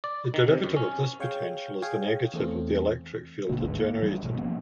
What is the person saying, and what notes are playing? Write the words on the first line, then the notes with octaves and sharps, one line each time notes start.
The derivative of this potential is the negative of the electric field generated.
D5
D#3
C3
F#2
C#4
G#4 C#5 F5 G5
G#4 C#5 F5 G5 G#5
E2 A3 C4
G1 B2 D3 A#3
G1 D2 G#2 E3
A#3
G2 E3 G3
A1 B2
F3 A#3 B3 C#4